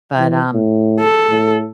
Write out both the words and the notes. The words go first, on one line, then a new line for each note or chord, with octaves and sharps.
but, um
E3
A2
A4
A2